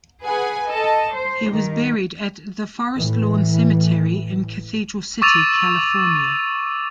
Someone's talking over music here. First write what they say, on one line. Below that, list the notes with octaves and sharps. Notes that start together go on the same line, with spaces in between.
He was buried at the Forest Lawn Cemetery in Cathedral City, California.
G#4 B4 F#5 G#5
A4 D#5 A5
C5
G2 D#3
A2 E3
C#6 D6 E6 A6 D#7 F7